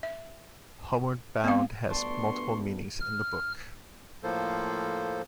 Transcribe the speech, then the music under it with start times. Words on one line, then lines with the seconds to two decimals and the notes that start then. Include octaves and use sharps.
Homeward Bound has multiple meanings in the book.
0.03 E5
1.44 B3 C4 F5
1.90 D2 G2 B3 D4 C6 C#6
3.00 F6
4.23 A2 F3 A#3 A4 C5